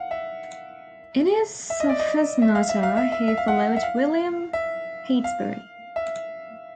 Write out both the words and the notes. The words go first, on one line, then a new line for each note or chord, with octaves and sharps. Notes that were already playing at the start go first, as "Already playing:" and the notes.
In his "Sophismata," he followed William Heytesbury.
Already playing: F5 F#5
E5
E5
D#5
D5
D#5
E5
F5
E5
F5
E5
E5
E5
F5
F#5
E5
F5
E5
F5
E5